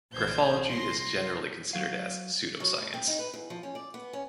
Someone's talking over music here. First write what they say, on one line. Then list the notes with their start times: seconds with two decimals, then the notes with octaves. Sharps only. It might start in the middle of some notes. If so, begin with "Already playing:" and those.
Graphology is generally considered as pseudoscience.
0.13 A#1 D3 E3 C5 G6 G#6
0.66 C2 C6 A#6
1.73 F#3 F5
2.60 F#3
2.77 A2
2.94 C4
3.07 D#4
3.19 B4
3.34 E2
3.50 F3
3.63 C#4
3.75 D5
3.94 B3
4.13 C#4